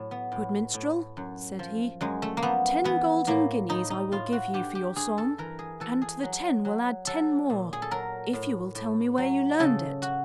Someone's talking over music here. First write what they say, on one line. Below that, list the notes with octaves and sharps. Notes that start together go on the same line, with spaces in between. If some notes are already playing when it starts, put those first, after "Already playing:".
"Good minstrel," said he, "ten golden guineas I will give you for your song, and to the ten will add ten more if you will tell me where you learned it."
Already playing: A2 F#3
B3
A2
A2
F#2
F3
F#2 G#3
A3
A#3
F3 B3
E3 B3
A2 A#3
A2 D#4
D#4
A2 F4
F#4
G2 G4
G4
G2 G#4
A4
E3 A#4
G#4
E3 A4
G#4
F#3
F#3
F#3 A4
A#2
G#4
A4
F#3 A#4
A2
A2
F#3
C#3 A4
F#4